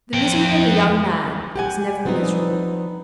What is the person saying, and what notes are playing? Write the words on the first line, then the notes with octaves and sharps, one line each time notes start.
The misery of a young man is never miserable.
F3 G5
G4 F#5 G#5
F3 B3 C4 D4 D#4